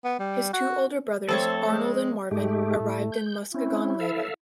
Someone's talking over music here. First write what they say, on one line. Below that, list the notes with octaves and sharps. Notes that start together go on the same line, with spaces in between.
His two older brothers, Arnold and Marvin, arrived in Muskegon later.
B3
G3
F#4
F2 A3 C4 A4 C5 C#5
G#3
G#2 G#3 A3 G4
A2
G6
C4 C#4 E4
A4 E5 F5